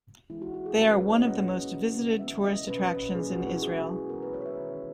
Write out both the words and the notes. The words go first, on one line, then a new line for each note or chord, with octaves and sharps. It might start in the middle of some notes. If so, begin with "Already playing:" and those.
They are one of the most visited tourist attractions in Israel.
E3 G#3 B3 E4
F#4
F#4
G#4
B2 G#3 C#4 A#4
B4
C#5
D#5
A#2 F#3 C#4 F#5
C#3 F#3 C#4
E3 B3 E5
D#5
B2 A#3 C#4 B4
A#2 F#3 A#3 C#4 G#4
F#4
E4
A#2 G#3 B3 G#4
E3 B3 A#4
B4
C#5
E5
D#3 F#3 C#4